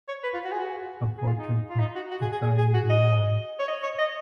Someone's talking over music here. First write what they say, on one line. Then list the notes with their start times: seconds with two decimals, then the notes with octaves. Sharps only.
A portrait of Ephraim de Leon.
0.08 C#5
0.24 B4
0.34 F4
0.44 F#4
0.52 G#4
0.59 F#4
1.18 G#4
1.27 F4
1.38 D#4
1.70 F4
1.80 D#4
1.95 F#4
2.11 F#4
2.21 G#4
2.32 G#4
2.42 G#4
2.58 G#4
2.74 F#4
2.90 D#5
3.59 C#5
3.68 D#5
3.83 C#5
3.99 D#5